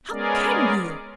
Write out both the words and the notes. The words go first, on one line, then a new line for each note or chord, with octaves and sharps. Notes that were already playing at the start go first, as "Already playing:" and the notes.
How can you?
G#3 B3 C#4 G#4 A#4 D5